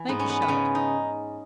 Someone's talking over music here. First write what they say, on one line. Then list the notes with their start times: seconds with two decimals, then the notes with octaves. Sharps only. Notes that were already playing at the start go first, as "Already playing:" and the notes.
'Thank you, Charlotte.
Already playing: E3
0.08 G#2 B3
0.19 C#4
0.29 B3
0.42 B3
0.48 C#3 C#4
0.75 D#4